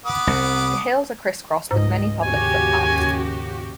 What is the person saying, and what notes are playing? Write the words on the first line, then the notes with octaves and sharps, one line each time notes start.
The hills are criss-crossed with many public footpaths.
B3 D6 D#6
C2
C#2 G#2 D#5
D#2 C#3 F#4 G4 G#5